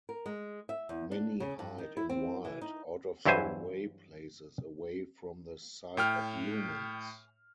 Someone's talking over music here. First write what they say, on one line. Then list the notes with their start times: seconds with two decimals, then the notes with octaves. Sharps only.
Many hide in wild, out-of-the-way places away from the sight of humans.
0.09 A#4
0.26 G#3
0.69 E5
0.89 E2
1.12 D4
1.40 C#3
1.59 G2
1.78 D#3
1.97 E4
2.09 C4
2.45 E3
2.61 D#4
3.26 G2 E3 F#3 E4 C5 G#5
5.97 A2 G5 F6